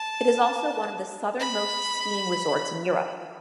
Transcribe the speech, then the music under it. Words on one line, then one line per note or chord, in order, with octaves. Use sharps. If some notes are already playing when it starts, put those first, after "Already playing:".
It is also one of the southernmost skiing resorts in Europe.
Already playing: A5
B5